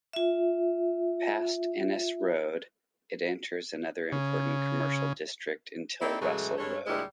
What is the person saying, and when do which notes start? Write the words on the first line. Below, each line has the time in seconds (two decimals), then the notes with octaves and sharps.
Past Innes Road, it enters another important commercial district until Russell Road.
0.13 F4 E5
4.12 C#3
6.01 A#3 C4 D#4 E4 A4 D5
6.21 A2 C#3 E3 F#3 G#3 A3
6.58 G2 G#3 C#4 A4 C#5
6.87 D2 A#2 G3 G#3 E4 D#5